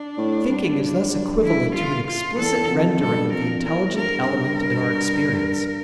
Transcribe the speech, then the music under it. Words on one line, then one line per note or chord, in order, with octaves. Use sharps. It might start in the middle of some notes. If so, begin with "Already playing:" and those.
Thinking is thus equivalent to an explicit rendering of the intelligent element in our experience.
Already playing: D4
A2
G2
E4
F4
F4
E2 A4
F2
G2 A4
F2 A#4
E2 A#4
G2 A#4
A#4